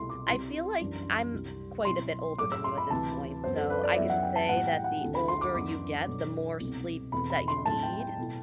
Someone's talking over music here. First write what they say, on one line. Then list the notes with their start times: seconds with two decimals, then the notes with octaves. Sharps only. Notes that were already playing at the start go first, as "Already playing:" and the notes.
I feel like I'm quite a bit older than you at this point, so I can say that the older you get, the more sleep that you need,
Already playing: C2 B2 A3 E4 C6
0.09 D6
0.27 C2 C3 G3 C4 E4 C6
0.80 F#2 E3 G3 D4
1.33 C2 C3 G3
1.85 B2 F#3 C4 E4 C6
2.38 A2 F#3 A3 D6
2.52 E6
2.64 C6
2.78 B5
2.90 D2 C3 E3 A5
3.43 F#2 F#3 B3 C5
3.57 A4
3.70 B4
3.83 D5
3.96 F#2 F#3 B3 E4 E5
4.10 F#5
4.23 G5
4.36 A5
4.49 A2 E3 G3 B3 E4 F#5
4.67 G5
4.84 F#5
5.01 D2 D3 A3 C4 E4
5.15 B5
5.28 C6
5.41 D6
5.54 F#2 E3 B3 D4 D6
6.07 B2 F#3 A3 D4
6.60 C2 B2 A3 C4
7.12 E2 B2 A3 C4 B5
7.30 B5
7.48 C6
7.65 A2 F#3 C4 E4 A5
7.83 G5
8.00 G5
8.18 B2 A3 E4